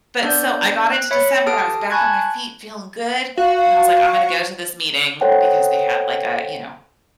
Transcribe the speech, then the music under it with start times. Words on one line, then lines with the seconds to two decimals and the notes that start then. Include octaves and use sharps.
But so I got into December, I was back on my feet feeling good. And I was like, "I'm gonna go to this meeting." Because they had like a, you know,
0.23 B3 D4 D5 G6
0.92 F#6
1.11 C#5 E5 B5 C#7
1.46 G4 A4 A5 D#6 F6 D7
1.91 G#5 A5 B5 C#6 F#6 G#6
3.37 F#4 F5
3.56 F5
5.21 A4 C5 C#5 F#5 G5